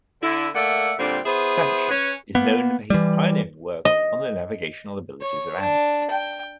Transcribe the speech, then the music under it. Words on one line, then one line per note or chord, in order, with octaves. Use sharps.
Santschi is known for his pioneering work on the navigational abilities of ants.
D3 E4
A3 A#3 D5 E5 F#5
A#2 D3 G3 C4 D4
B3 E4 G#4 C5
C#4 B4 C#5
A#3 B3
E3 G3
D#5
C#5
D4
G5